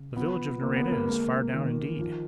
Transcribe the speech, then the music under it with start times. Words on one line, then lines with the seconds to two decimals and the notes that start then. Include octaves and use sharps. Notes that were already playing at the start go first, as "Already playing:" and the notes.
The village of Nareda is far down indeed.
Already playing: C#3
0.16 F3 B3
0.62 D3 A#3
0.76 B3
0.91 A#3
1.08 G#3 A#3
1.54 D#3
1.99 F3